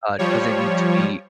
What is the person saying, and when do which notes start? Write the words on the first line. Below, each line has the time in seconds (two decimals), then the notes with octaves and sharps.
uh, doesn't need to be
0.18 F3 G3 C#5